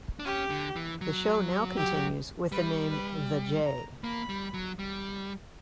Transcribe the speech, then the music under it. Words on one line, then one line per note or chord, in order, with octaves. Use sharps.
The show now continues with the name The J.
D4
C#4 G4
D3
E3
F#3
G4
G3 B4
B4
A#5
A#3 B5
G3
F#3
G3